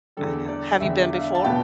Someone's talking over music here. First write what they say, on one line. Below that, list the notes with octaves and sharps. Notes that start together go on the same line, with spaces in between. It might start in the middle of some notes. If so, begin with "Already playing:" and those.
I know. Have you been before?
E2 D3 G3 A4
D5
E2 D3 G3 E5
F5
A5
B2 B3 F4 G5